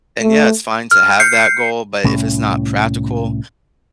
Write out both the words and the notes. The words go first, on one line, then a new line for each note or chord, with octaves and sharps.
and, yeah, it's fine to have that goal, but if it's not practical,
A3
F6
G6 C7 C#7
C2 A2 C#4